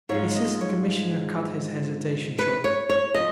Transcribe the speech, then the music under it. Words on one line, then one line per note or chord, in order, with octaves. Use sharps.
The Assistant Commissioner cut his hesitation short.
G#2 F3 G#3 C#5
D#5
C#5
B4
C#5
C#5
F3 D#5